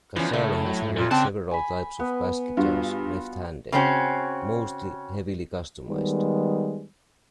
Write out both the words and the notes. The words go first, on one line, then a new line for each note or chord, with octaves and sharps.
Casale has played several types of bass guitars left-handed, mostly heavily customized.
E2 E3 F3 C#4
A2 C#3 A3
F#3
G#2
F2 A#2
C#3 C4 D5 F#5 A5
G#5 B5
B3
G2 F4 F#4
C#3 C4 C#4 F#4
D#3 G3 G#3 B3